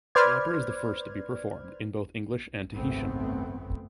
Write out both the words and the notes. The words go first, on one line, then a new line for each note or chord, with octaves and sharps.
The opera is the first to be performed in both English and Tahitian.
B4 C5 D5 F6 G#6
G#1 C#2 F#2 A3 B3 C4